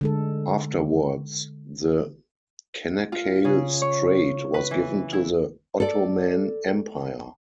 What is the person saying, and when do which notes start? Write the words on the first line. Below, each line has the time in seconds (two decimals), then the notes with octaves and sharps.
Afterwards, the Canakkale strait was given to the Ottoman Empire.
0.01 D3 G#3 A4
3.12 F4
3.45 C#3
3.82 C#5
4.54 B4
4.71 E3
5.13 E4
5.80 A4 D5